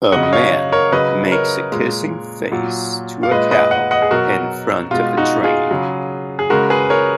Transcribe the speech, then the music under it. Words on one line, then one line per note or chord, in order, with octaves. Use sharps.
A man makes a kissing face to a cow in front of a train.
C#3 F#3 D#5 F#5
D#5
C#5 F5
A#4 C#5
C#3 F#3 B4 D#5
A#4 C#5
A#2 G#3
A#2 F#3
F5
A#2 G#3 B4 D#5
B4 D#5
D#5 F#5
D#5 F#5
G#4
B2 F#3 F#4 A#4
B2 G#3 F4
D#4 F#4
F4 G#4
C#3 F#3
G#4
C#3 G#3 F#4 A#4
G#4 B4
A#4 C#5